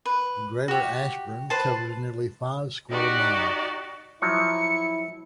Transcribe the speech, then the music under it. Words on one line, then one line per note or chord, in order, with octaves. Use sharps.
Greater Ashburn covers nearly five square miles.
B4
F#4 G4
B4 C5 A5
D#4 F#4 G4 D5
F3 F#3 E4 C#7